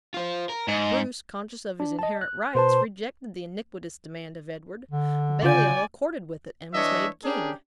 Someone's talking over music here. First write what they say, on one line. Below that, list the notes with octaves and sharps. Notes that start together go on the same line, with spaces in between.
Bruce, conscious of his inherent rights, rejected the iniquitous demand of Edward; Baliol accorded with it, and was made king.
F4 C5
A#4
G#2 D#5
D4
D#5 A5
F#6
B2 B4 C5 A5
D3
C#3 F4 D5 G#5 G6
E3 D4 C#5 D#5 E5
C#4 D4 G4 G#4 A#4